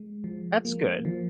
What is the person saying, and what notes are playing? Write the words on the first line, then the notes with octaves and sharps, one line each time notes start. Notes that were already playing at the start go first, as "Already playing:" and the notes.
That's good.
Already playing: G#3
F3
A#3
F3